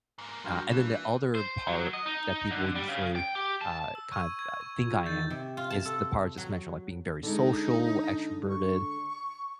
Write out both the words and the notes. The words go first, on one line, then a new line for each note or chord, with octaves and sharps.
Uh, and then the other part that people usually, uh, kind of, uh, think I am, is the part I just mentioned, like, being very social, extroverted,
G#2 A#3
G3 D4 F#4 C6 F6 G6
E3 A#3 E7
C5
F#3
D#5
D#4
D3
G3
C#3
G5
G4
A5
E6
C#6 G#6 D#7
G#6
C#6
F4
D#3 G6 A6
C3
F4
A5
A4
F#3
D3 G#3 D#4
C#6